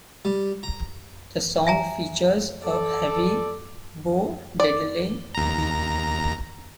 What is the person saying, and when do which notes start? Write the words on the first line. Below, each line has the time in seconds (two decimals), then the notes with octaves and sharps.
The song features a heavy Bo Diddley beat.
0.25 G3
0.63 A#5
1.67 E5 G#5 A#5
2.64 A4 D5
4.60 D5
5.35 D#2 A#5